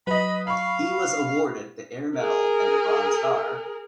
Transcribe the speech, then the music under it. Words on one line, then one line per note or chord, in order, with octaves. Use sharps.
He was awarded the Air Medal and the Bronze Star.
F#3 B4 D#5 B5
F5 B5 C#6
G#4 A#4